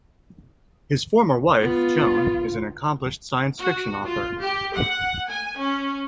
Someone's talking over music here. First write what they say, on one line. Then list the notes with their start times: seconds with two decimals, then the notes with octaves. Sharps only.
His former wife, Joan, is an accomplished science fiction author.
1.61 B3 F4
3.58 F#4
4.04 F4
4.39 G4
4.75 F#5
5.29 G#5
5.57 C#4